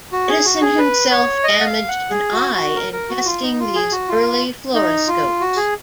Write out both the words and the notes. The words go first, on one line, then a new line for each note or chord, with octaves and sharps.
Edison himself damaged an eye in testing these early fluoroscopes.
F#4
G#4
F#4
G#4
B4
C#5
D#5
F#5
F5
F#5
G#4
F#4
F#4
A#4
A#4
F#4
F4
D#4
F4
G#4
F#4
F4
D#4
F4
F#4
G#4